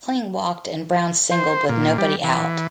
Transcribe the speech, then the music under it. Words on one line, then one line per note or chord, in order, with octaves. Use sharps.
Kling walked and Brown singled with nobody out.
C5
A#2
G3
E3